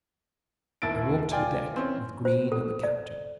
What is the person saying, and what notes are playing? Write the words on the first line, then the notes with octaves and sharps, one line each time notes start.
I walked the deck with Green and the captain.
E1 D#2 E4 A6 D7
F4 D5 G5 G#5
E3 C4 C#4
C5
A4
D5